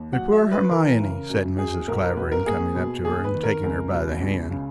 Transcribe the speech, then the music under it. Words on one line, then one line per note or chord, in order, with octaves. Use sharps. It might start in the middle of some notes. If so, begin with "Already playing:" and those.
"My poor Hermione," said Mrs. Clavering, coming up to her, and taking her by the hand.
Already playing: D#2
F#3 F#5
E5
F#3
B4
E3 A#4
C#3
F#2
F#2 G#4
B1 A#4
A#4
B1 B4
A#4
A#3 G#4
B2
D#2 G#4
B4
D#3
A#4
C#2 A#4
B2
C#2
C#3